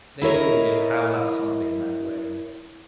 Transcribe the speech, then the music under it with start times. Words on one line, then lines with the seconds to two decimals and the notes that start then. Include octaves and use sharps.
They really did howl out something in that way.
0.22 E4 A#4 C#5 D#5